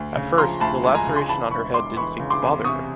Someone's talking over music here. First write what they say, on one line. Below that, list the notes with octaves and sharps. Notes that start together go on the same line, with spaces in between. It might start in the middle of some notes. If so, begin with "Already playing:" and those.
At first, the laceration on her head didn’t seem to bother her.
Already playing: D2
C#3
F3 A#5 C6
D2 A5 B5
G#3
G#5 A#5
C#3
C6
E3 A5 B5
E1 B5 C#6
E1 C6 D6
E3 B5 C#6
C#3
C6 D6
E2
C3 C#6 D#6